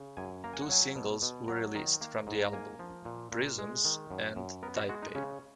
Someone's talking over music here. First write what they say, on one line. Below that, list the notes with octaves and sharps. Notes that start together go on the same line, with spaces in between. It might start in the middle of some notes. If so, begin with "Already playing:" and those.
Two singles were released from the album, "Prisms" and "Taipei".
Already playing: C#3
F#2 G#5
A#3 A#5
G#5
F#5
F#3 G#5
B2
B2
F#3 A#5
D#3 A#5
A#3
G#2
A#5
A#3 G#5
F3
A#2
A#2
G#3
D#3
F#2
F#2
B3 A#4
F#4
G#3 F#4
D#4
C#3 C#4